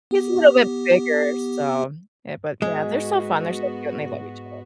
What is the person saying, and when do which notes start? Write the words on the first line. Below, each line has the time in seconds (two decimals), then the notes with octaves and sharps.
he's a little bit bigger, so, yeah, but, yeah, they're so fun, they're so cute, and they love each other.
0.11 B3 G4
2.62 G#2 G#3 B3 F#4